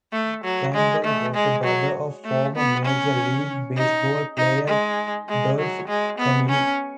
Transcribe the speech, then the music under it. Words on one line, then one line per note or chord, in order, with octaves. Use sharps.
Campbell was the brother of former Major League Baseball player Dolph Camilli.
A3
F#3
G#3
A3
G#3
F#3
A3
B3
C#4
D#4
D#4
G#3
G#3
F#3
G#3
B3
C#4